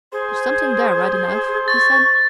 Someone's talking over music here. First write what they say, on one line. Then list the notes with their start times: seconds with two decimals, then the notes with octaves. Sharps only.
"There's something there right enough," he said.
0.13 G#4 C5
1.68 C#6 A6